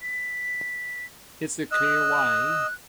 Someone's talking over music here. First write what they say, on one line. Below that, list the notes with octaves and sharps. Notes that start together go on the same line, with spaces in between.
It's clear why.
B6
D#5 E6 F#6